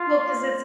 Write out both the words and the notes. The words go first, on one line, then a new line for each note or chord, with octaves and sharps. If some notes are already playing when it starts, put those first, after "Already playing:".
Well, 'cause it's
Already playing: F4